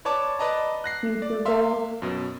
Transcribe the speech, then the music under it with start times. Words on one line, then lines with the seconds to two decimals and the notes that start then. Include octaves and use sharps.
future goals,
0.05 B4 C#5 D5 A5 D6
0.39 B4 D5 D#5 A5 A#5
0.84 F#6 A#6 C7
1.22 D5
1.45 E5 F5 C6
2.02 F#2 B2